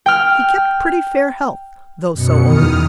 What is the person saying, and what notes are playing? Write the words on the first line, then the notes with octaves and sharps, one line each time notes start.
He kept pretty fair health, though so old.
G5 F6
F#2 B2 C#7
E2 D#3 D#6 F6